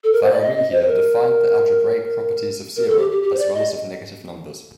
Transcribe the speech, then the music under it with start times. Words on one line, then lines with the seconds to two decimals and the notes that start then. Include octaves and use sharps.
Varahmihir defined the algebraic properties of zero as well as of negative numbers.
0.04 A4
0.13 A#4
0.22 C5
0.32 D5
0.41 D#5
0.57 D#5
0.72 C5
0.82 C5
0.88 A#4
2.76 A#4
2.88 A4
2.99 G4
3.11 G4
3.23 G4
3.33 C5
3.39 D5
3.54 D#5